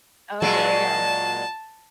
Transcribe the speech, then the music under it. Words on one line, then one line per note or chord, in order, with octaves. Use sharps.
Oh, there you go.
A#2 F#3 G#3 A5